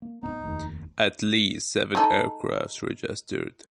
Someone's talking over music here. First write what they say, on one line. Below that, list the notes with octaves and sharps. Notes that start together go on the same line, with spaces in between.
At least seven aircraft registered.
A#3
D1 E2 B3 D#4
F1 D#2
G#3 D#4 A4